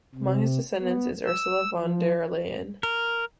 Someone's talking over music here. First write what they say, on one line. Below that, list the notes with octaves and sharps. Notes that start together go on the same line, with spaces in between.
Among his descendants is Ursula von der Leyen.
C3
B3
E6
F3
A#4